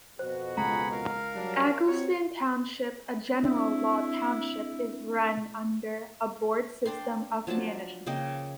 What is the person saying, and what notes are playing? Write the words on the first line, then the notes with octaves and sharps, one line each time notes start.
Egelston Township, a general law township, is run under a board system of management.
F2 B2 F#4 C5
C#2 G#4 F#5 A#5 B5
A#4 F5
F#3 G3 D4
C4 F#4 C#5
C4 D4 E4
D4 D5 G5 C6
F3 F#3 D4 A5
C#3 A#3 D#5 G5